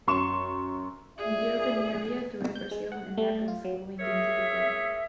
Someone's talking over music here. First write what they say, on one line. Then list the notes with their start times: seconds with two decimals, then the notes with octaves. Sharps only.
In the urban area the rivers Ilm and Abens flowing into the Danube.
0.07 F#2 C6 C#6 E7
1.18 F4 G#4 D5 E5
2.55 G6
2.71 G#3
2.92 F#5
3.17 A3
3.48 F4
3.65 F#3
4.00 G#4 A#4 C#5 D#5 E5